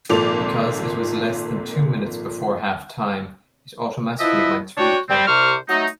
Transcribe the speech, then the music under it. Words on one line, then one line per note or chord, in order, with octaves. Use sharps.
Because it was less than two minutes before halftime, it automatically went to replay.
G#1 A#2 F3 A4 D6 F7
F3 E4 B4 D#5 E5
D4 F#4 C#5 G5 A5
G3 C4
C2 C3 C5 C#6 F6
F#3 A3 D#4